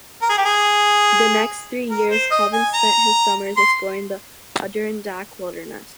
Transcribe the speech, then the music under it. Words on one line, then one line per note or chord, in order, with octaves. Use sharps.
The next three years, Colvin spent his summers exploring the Adirondack wilderness.
A#4
G#4
G4
G#4
A#4
C5
D#5
G#5
A#5
C6